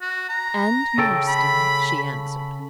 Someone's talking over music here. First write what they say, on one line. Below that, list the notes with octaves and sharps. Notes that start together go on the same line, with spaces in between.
"And Marston," she answered.
F#4
A#5
C#3 A4 G5
B5